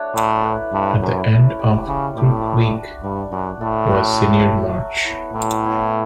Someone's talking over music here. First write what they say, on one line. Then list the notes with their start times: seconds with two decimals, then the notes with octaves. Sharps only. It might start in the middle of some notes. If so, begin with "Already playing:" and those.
At the end of Crook Week was Senior March.
Already playing: A3 D4 F#4 C#5
0.14 A2 F#3
0.43 A3 E4 B4
0.73 G2 F#3
1.01 F#2 A3 E4 B4
1.29 C#4
1.59 G4 D5
1.88 C#3 C#4
2.16 A2 G4 D5
2.45 G3
2.74 D4 F#4
3.02 G2 G3
3.31 F#2 D4 F#4
3.60 A2 A3
3.89 C#4 F#4
4.18 A3
4.47 C#4 F#4
4.76 F#3
5.05 B3 E4
5.33 A2 F#3
5.62 B3 E4